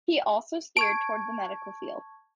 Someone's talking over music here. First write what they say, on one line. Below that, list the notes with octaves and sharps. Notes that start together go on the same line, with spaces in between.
He also steered toward the medical field.
A5 C#6 G#6 D7